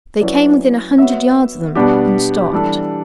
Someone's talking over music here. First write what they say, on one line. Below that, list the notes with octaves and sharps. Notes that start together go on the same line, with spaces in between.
They came within a hundred yards of them, and stopped.
F#3 C#4 E4 B4 D5
B3 F#4 C#5 E5
B2 G3 B3 D4 G4
E3 G3 D4 A4